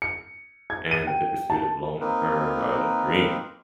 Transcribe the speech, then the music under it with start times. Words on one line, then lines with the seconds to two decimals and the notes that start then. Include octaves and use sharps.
and the pursuit of long-term, uh, dreams?
0.02 C#7
0.70 G#6
0.91 D#7
1.07 G5
1.50 A5
2.01 A#3 C4 D#4 A#4 B4